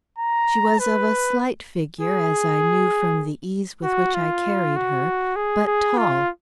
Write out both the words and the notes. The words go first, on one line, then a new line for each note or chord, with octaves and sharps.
She was of a slight figure as I knew from the ease with which I carried her, but tall.
A#5
B4
G#4
F#4
F4
F#4
G#4
G#4
F4